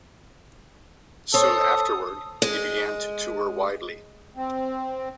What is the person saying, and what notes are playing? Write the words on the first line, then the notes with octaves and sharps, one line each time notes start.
Soon afterward, he began to tour widely.
A4 C5 C#5 D#6
G#3
C4